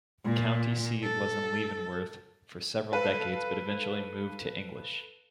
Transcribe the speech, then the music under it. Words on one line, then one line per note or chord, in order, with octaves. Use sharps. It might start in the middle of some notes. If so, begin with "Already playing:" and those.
The county seat was in Leavenworth for several decades but eventually moved to English.
A#2
A4
A4 B4 F5